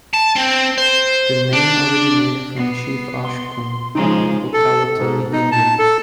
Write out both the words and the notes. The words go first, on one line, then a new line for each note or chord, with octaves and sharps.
The name originated from Chief Ashkum of the Potawatomi Indians.
A5
C4
C5
D4
B3 C7
C6
C#3 F3 G#3 D#4
A4
G#2
D#4
A5
A4